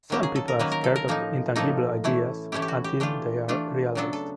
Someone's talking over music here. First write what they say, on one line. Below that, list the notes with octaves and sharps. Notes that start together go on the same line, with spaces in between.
Some people are scared of intangible ideas until they are realized.
D#3 F#3 A#3 C#4 G4
G#4
A4
A#4
D#3 F#3 A#3 C#4 B4
A#4
A4
A#4
A2 F3 A#3 D#4
A2 F3 A#3 D#4 A4
E3 A3 C#4 E4
E3 A3 C#4 E4 G4
G4
F#4
G4
E3 A3 D4 F4 G4
E3 A3 D4 F4
C#3 F#3 B3 D4 A4
A4